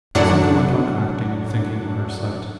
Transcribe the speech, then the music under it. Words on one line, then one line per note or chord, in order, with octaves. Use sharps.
He simply went on acting and thinking in her sight.
F#2 A2 F#3 D4 F#5